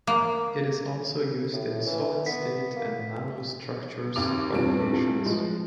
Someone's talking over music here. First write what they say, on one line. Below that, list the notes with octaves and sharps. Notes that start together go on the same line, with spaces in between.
It is also used in solid state and nanostructures calculations.
A#3
A2
E3
B3 B6
A#3
D#2 C3 D6 F7
E2 G2 C3 F4 D7
F3 G#3